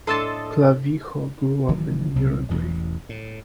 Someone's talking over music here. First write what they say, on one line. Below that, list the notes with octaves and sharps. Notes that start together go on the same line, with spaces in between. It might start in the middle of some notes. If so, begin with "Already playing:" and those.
Clavijo grew up in Uruguay.
A2 D4 A4 D#5 A5 C6 E6 A6
D1 D#3 E3 F#3
C2 B2 F#3 C4
E1 A1 E2 E3
A2